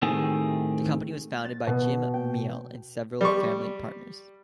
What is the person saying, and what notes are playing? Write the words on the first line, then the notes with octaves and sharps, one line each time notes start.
The company was founded by Jim Miele and several family partners.
A2 D#3 A3 C4 G4 G#4
A6
B2
G5
G3 C#6